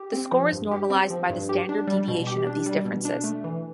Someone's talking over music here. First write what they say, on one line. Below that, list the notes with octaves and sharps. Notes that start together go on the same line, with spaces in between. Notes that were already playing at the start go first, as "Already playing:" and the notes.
The score is normalized by the standard deviation of these differences.
Already playing: G4
C4
F3
G2
G4
C4
F3
G2
G4
D4
G3
B2
G4
D4
G3
B2
D4
A3
E3